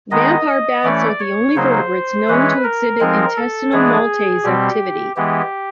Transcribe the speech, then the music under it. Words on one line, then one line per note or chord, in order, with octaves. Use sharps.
Vampire bats are the only vertebrates known to not exhibit intestinal maltase activity.
D#3 G#3 B3 D#4 D#5
E3 A3 C#4 D5
C#5
C#3 F#3 A#3 D#4 C5
E3 G#3 C#4 B4
A#4
F3 G#3 C4 D#4
A4
E3 G#3 B3 D4 G#4
B2 G3 C4 G4
E3 G#3 B3 G4